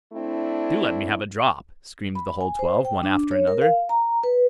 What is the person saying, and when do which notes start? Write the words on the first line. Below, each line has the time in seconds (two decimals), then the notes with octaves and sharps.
Do let me have a drop', screamed the whole twelve, one after another.
0.13 A3 C4 D4 E4
2.15 B5
2.41 G#5
2.59 C5
2.85 G5
3.03 D4
3.31 C#5
3.47 A#4
3.62 F5
3.89 A#5
4.23 B4